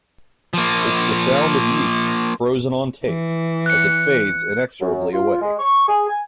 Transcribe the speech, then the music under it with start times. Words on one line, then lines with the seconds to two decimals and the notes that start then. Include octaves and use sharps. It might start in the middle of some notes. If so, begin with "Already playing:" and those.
It's the sound of youth, frozen on tape, as it fades inexorably away.
0.54 F3 A#3
3.05 E3
3.66 F#6 C#7
4.81 F#2
5.13 F4
5.42 G#3
5.59 C#6
5.89 G#4
6.09 G#5